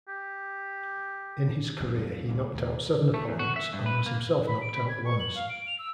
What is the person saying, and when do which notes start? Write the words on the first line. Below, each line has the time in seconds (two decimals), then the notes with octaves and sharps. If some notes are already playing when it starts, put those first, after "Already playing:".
In his career he knocked out seven opponents and was himself knocked out once.
0.08 G4
1.80 F#1 B1 G#2 D3
1.97 B1 F2 F3 G#3
2.28 D#1 D2 G#2 A#3
2.55 D#2 A2
3.14 A3
3.28 E2
3.39 F#4
3.56 E5
3.73 G2
3.86 B4
4.06 A#3
4.47 B5
4.62 D7
4.75 B5
4.89 G#6
5.05 C#6
5.20 F#7
5.35 F5
5.50 D7
5.67 F7
5.79 E6